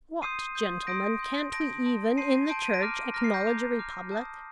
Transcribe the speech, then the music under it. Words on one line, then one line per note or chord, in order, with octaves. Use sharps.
What, gentlemen, can't we even in the Church acknowledge a republic?
C6 D#6 G6 C7 D#7
C6 D#6 G6
C6 D#6 G6 A#6 D7
C6 D#6 G6
A5 C6 G6 A#6 D7
A5 C6 G6
A5 C6 G6 C7 D#7
A5 C6 G6 D7
D#7
A#6 D7
A#5 D6 F6
A#5 D6 F6 A#6
C7
G6 A#6
A#5 D6 F6
A#5 D6 F6
A5 D#6 G6